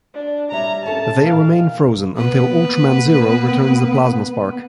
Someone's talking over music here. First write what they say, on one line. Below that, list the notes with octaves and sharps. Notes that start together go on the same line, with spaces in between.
They remain frozen until Ultraman Zero returns The Plasma Spark.
D4
G3 C#5 E5 A#5
C#4 A4 C#5 A5
A#2 D#4 A#4 F5
A#3 B3 B4